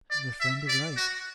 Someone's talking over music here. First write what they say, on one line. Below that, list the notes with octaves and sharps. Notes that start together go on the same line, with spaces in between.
The friend is right.
D5
E5
D5
F#4